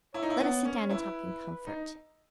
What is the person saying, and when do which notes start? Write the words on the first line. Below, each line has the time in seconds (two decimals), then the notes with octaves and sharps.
Let us sit down and talk in comfort.
0.14 E4 C#5
0.22 D#4
0.30 E4
0.40 B3
0.65 C#4
0.90 E4 B4
1.67 D#4